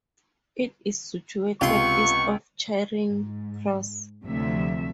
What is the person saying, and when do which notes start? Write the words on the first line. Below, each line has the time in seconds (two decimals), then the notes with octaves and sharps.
It is situated east of Charing Cross.
1.61 C#2 C3 B3 F4 C6 C#6
3.07 G#2
4.23 D2 C3 F3 F#3 A3 E5